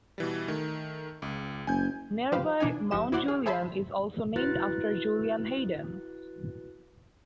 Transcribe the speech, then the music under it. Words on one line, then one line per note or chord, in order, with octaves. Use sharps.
Nearby Mount Julian is also named after Julian Hayden.
B2 E3 G3
D#3 A3
C#2
F#1 G#5 G6
F3 G4 B4 C5 F5
B2 E3 D4 D#4 G#5
G1 F3 D#4 G4 D#5 E7
E4 F#4 C5 D5 F#5
G#4
G#4 C5 E5 A5 B5 C6
E4 F#4 B4 F#6 A6